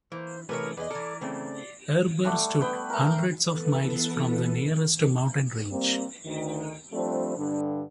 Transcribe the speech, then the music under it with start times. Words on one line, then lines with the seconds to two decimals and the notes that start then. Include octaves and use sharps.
Erebor stood hundreds of miles from the nearest mountain range.
0.12 E3 A#3 C5
0.49 C3 E3 A3 G#4 A#4 B4 C#5
0.77 E2 G#4 B4 D5 D#5
0.91 E3 A4 A#4 D5
1.21 C#3 A3 C4 D5
2.25 G3 A3 F#5 D6
2.61 B3 B4 G5
2.90 A3 A#4
3.45 E3 B3 A4 B4
5.71 G3 A#3 C4
6.25 D2 D#3
6.92 F3 G3 A3 C4 D4
7.37 G2 D3